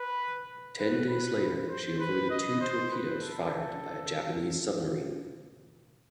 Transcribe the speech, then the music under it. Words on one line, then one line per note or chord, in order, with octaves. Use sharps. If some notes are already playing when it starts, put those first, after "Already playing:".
Ten days later, she avoided two torpedoes fired by a Japanese submarine.
Already playing: B4
B4
B4
C5
B4
D#5
C5
B4
A4